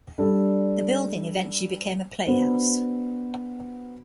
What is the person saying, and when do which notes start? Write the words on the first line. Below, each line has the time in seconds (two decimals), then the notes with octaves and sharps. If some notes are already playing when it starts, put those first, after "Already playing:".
The building eventually became a playhouse.
0.18 G3 D4 A4
2.26 B3 D4 F#4 C5